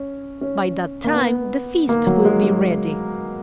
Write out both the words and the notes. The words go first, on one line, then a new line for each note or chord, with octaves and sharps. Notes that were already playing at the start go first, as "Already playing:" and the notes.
By that time the feast will be ready.'
Already playing: C#4
C#4
A#3
B3
A#3
F#3
G#3
G#3